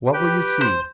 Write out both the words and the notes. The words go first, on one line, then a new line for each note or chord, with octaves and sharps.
What will you see?
G4 B4 G5
C5